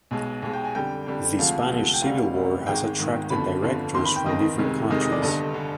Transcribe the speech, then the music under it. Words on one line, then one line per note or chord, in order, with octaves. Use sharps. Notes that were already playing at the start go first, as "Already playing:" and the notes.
The Spanish Civil War has attracted directors from different countries.
B1 B2 G#3
B1 B2 G#3
G5
G#5
F2 D3 G3 G5
F2 D3 G3
D2 C3 F3 G#3 F5
D2 C3 F3 G#3
G5
D2 C3 G3 F5
D2 C3 G3
G#1 G#2 D#3 G#3 G5
G#1 G#2 D#3 G#3
G1 F2 D3 F3 B5
G1 F2 D3 F3
G1 F2 D#3 C6
B5
G5
G1 F2 D#3 D#5
F1 F2 C3 D#3 G#3
F1 F2 C3 D#3 G#3 D#5
D#5
D5
G1 G2 D3 D#5
D3